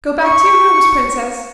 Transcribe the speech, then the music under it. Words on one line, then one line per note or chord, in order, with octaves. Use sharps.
Go back to your rooms, Princess.
C#6